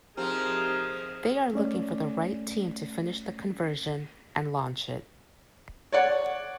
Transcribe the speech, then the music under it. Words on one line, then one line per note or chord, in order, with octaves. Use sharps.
They are looking for the right team to finish the conversion and launch it.
C3 F3 C4 D#4 G#4 A#4
A3 C#4 D5
C#5 D5 F#5